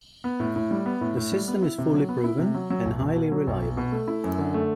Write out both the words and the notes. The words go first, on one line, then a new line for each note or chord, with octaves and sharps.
The system is fully proven and highly reliable.
B3
A2
A2
G3
B3
A2
A2
G3
B3
E4
C3
F#3
B3
E4
C3
F#3
F#3
B1
B1
B2
F#3
B1
B1
B2
A3
E4
F#2
D3
A3